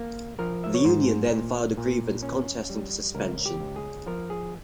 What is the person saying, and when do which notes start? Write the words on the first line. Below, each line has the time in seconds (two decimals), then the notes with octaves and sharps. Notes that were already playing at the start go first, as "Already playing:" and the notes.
The union then filed a grievance contesting the suspension.
Already playing: A#3
0.39 F3 A#4
0.64 E5
0.74 C#5
0.84 G#2 C5
1.30 A#2
1.77 A#2
2.23 C#4
2.70 G3
3.15 C#2 A#4
3.46 G4
3.60 C#2
3.76 G#4
4.06 F3 A#4
4.30 G#4